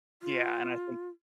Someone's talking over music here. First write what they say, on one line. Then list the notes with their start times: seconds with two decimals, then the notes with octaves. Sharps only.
Yeah, and I think
0.22 F4